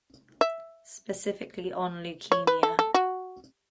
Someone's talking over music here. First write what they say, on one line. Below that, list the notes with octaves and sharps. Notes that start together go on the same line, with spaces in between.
Specifically on leukemia.
E5
C#5
B4
A4
A4
F#4